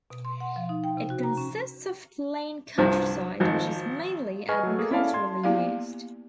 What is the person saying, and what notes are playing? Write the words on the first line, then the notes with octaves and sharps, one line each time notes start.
It consists of plain countryside, which is mainly agriculturally used.
B2
C6
F#5
F3
D#4
G5
C3
F#4
A#5
C#4
C2 G2 F3
G#1 F2
G#4 B4 D#5 G#5 C#6 F6
F#3 A3
A#3 G#4 A4
C#4 E4 A4 D5 F5 A5
A5 C6 G#6
A#3 B3 E4 G4 D5 F5